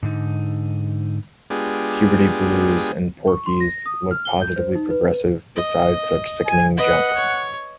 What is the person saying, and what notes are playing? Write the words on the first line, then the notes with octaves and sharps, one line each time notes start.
"Puberty Blues" and "Porky's" look positively progressive beside such sickening junk.
G#2 D3 D#4
G#3 B3 D4 F4 G4 G#4
C#6
C6
A#6
D#6
F6
G7
G6
C5
D#4
B4
D#5
G#5
B4 D#5 F#5
C#5